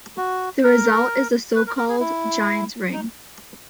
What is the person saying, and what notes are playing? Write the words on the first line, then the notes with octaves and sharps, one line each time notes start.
The result is the so-called Giants' Ring.
F#4
A#4
B4
A#4
A#4
G#4
E4
D#4